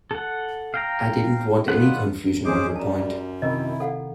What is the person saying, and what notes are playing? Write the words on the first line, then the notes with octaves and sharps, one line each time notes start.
I didn't want any confusion on the point.
A4 F#5
F5 G5 A#5
D#3 G3 F4 B4 F#5
C#4 D#4 G4 G#4 C5 D6
F#2 G3 A5 A#5
C3 D#3 D#4 E4 A#4 D#5
A4 F5 F#5